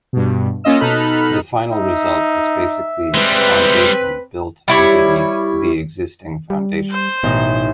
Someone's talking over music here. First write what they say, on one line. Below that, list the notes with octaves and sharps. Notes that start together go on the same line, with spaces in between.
The final result is basically a foundation built underneath the existing foundation.
G2 B2
A#3 C#4 F4 D#5 E6
B2 D#4 A4 B5 F6 F#6
D#4 E5
G3 G#3 C4 B4
G3 E4 C#5
G3
C5
A1 B2 D#4